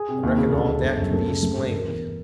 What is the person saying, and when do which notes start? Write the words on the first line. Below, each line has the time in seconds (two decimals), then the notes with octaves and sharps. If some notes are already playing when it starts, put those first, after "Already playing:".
"I reckon all dat kin be 'splained."
Already playing: G#4
0.09 C3
0.23 D#2
0.38 C#3
0.53 D2 A4
0.68 C#3
0.82 G1
0.98 F#2
1.08 A#4
1.13 A3 A4
1.28 C#3
1.43 A3
1.57 G2
1.72 E1 A#4
1.88 E2